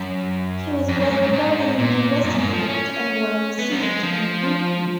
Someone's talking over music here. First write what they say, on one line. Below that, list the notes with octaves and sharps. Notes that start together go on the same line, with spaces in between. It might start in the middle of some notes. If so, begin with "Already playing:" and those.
He was well regarded in the Western world and well received in Hong Kong.
Already playing: F#2
F2
F#2
G#2
G#2
G#2
A#2
F#2
G#2
F3
C#4
B3
F#3
G#3
F3